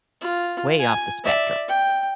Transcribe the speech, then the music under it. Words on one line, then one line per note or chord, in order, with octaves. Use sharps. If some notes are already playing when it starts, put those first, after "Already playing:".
way off the spectrum.
F4
G#5
D5 E5
G5